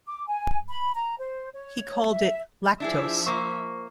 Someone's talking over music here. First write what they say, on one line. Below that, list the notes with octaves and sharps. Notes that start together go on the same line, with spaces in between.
He called it "lactose".
D6
G#5
B5
A#5
C5
C#5
E5
F3 D4 E4 G#4 E5
A#3 C5 C#6